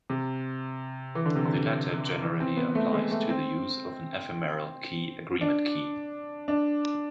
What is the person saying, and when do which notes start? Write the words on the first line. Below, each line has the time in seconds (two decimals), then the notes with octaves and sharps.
The latter generally applies to the use of an Ephemeral Key Agreement Key.
0.10 C3
1.15 E3
1.25 D3
1.36 C3
1.45 D3
2.22 E3
2.40 C4
2.57 B3
2.75 A3
2.93 G#3
3.11 A3
3.29 C4
5.41 D4
6.48 D4